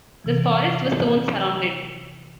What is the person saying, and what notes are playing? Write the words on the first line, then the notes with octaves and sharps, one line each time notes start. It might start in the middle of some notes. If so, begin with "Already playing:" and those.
The forest was soon surrounded.
C3 E3